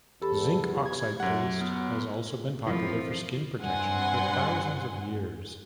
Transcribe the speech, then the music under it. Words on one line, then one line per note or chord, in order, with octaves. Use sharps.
Zinc oxide paste has also been popular for skin protection for thousands of years.
E2 G4 A4 B5
G#6
F#2 F#3 F#5
B3 F6
F2 E3 F3 A#3 E4
G2 C4 F#5 G#5 C6